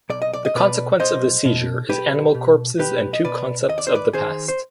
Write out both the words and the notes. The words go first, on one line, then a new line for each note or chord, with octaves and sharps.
The consequence of the seizure is animal corpses and two concepts of the past.
B1 D5
D#5
D5
D#5
B2 B4 D5
B1 C5 D#5
B2
B1 G4 B4
B2
B1 G4 B4
D#5
B2 B4 D5
D#2 D#5
D5
C5
B4 D5
D#3 G#4 C5
C5